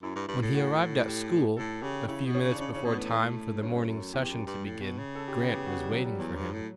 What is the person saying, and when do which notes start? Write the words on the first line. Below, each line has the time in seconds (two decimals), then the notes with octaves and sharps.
When he arrived at school, a few minutes before time for the morning session to begin, Grant was waiting for him.
0.03 F#2 E4
0.16 G2
0.28 G2
0.42 A2
0.55 F#4
1.05 G4
1.56 A2 A4
1.82 C#3 G4
2.08 C#3 E4
2.26 B2
2.34 C#4
2.42 C#3
2.51 D4
2.59 C#3 C#4
2.73 C#3 C#4
2.85 B2
2.94 B3
2.98 A2
3.10 A3
3.61 G2 C#4
3.87 F#2
4.14 E2 G4
4.30 F#2
4.47 G2
4.65 A2
4.81 B2
4.98 C#3
5.15 A4
5.28 G4
5.41 B3
5.54 G4
5.66 F#4
5.79 G3
5.92 F#3
6.05 G3
6.18 E2 F#3
6.35 G2
6.53 A2